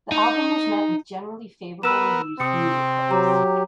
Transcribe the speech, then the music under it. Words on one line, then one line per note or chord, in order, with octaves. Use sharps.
The album was met with generally favorable reviews from music critics.
D#4
B3 A#4 B4 E6 E7
C3 C4 D#6 C#7
F#3 G4 A#5